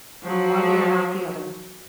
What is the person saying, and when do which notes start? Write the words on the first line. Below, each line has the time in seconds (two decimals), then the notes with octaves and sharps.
One ear and out the other.
0.24 F3 F#3